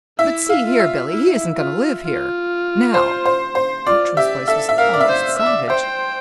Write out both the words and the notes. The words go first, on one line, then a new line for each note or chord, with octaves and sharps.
"But, see here, Billy, he isn't going to live here--now?" Bertram's voice was almost savage.
E4 E5
F5
F4
E5
E4
F4
F4
C5
C5
C5
F4 D5
G4 E5
A4 E5
E5
A#4 F5
D5
E5
C5
E5
D5
C5 G5